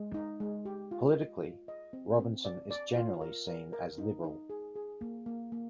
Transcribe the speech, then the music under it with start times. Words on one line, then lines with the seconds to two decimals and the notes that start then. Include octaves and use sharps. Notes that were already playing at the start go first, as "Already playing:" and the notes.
Politically, Robinson is generally seen as liberal.
Already playing: G#3
0.14 D#4
0.40 G#3
0.65 G4
0.91 F4
1.17 D#5
1.43 F4
1.68 D#5
1.93 C4
2.19 C4
2.45 D5
2.71 D5
2.96 F4
3.21 A#4
3.47 A#4
3.73 A#4
3.98 D#4
4.24 D#4
4.50 G#4
4.76 G#4
5.01 A#3
5.26 A#3
5.52 A#3